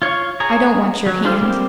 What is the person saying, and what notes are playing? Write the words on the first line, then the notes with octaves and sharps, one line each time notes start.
I don't want your hand.
F4 C#5 F5 C#6
G#4 C#5 A#5
F#3
D4 F4 A4 C5 F5
G3 A#3 C4 G4